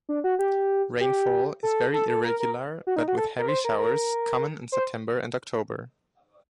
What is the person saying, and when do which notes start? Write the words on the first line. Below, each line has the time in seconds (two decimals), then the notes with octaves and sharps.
Rainfall is very irregular but with heavy showers common in September and October.
0.09 D4
0.24 F#4
0.39 G4
1.00 G4
1.63 A4
1.93 A4
2.09 A4
2.25 A#4
2.40 A#4
2.87 F#4
2.96 D#4
3.08 F#4
3.17 A4
3.39 A#4
3.48 C5
3.65 A#4
3.79 A#4
4.72 C5